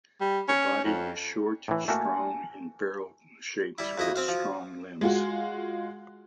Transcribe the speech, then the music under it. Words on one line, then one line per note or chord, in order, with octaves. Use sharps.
The body is short, strong and barrel-shaped, with strong limbs.
G3
C#4
F2
A2 E3
A3 A#3 F#4 G#5 A5
G3 E4
F2 E4 F#4 D#5
C4 C5 F5
F3
G#3 F4 F#4